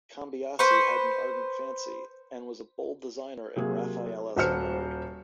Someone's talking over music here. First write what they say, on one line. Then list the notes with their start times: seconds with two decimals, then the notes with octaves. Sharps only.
Cambiasi had an ardent fancy, and was a bold designer in a Raphaelesque mode.
0.59 B4 C5 C#6
3.56 C3 F#3 A#3 G#4
4.36 D#1 F#4 B4 C5 F6 C#7